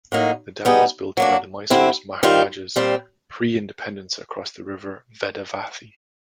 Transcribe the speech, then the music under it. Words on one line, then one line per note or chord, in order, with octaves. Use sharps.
The dam was built by the Mysore Maharajas pre-independence across the river Vedavathi.
A2 F#3 A#3 D#4
G3 B3 D#4 G#4
F#3 A#3 D4
D3 G3 C4 E4
D#3 G3 C4 F4
A#2 G3 C4